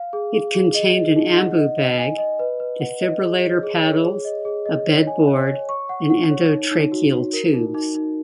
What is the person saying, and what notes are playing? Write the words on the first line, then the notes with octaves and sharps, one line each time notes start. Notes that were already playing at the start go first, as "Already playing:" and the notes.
It contained an Ambu bag, defibrillator paddles, a bed board and endotracheal tubes.
Already playing: F5
G#4
G#4
G#4
D#5
D#5
D#4
F#5
D#5
D#5
G#5
D#5
B4
B4
F#5
D#5
G#4
C#5
G#4
C#5
G#4
D#5
G#4
D#5
C#5
G#5
C#5
C#5
C#6
F#5
F#5
C#5
D#4
D#4
F#4
F#4
A#4
D#4
D#4
D#4